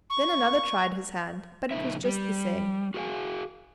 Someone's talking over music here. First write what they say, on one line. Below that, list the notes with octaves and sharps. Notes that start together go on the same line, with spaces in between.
Then another tried his hand; but it was just the same.
C#6
F2 A#2 C#3 D#4 E5
G3
F#4 G#4 A#4 E5 F5 G#5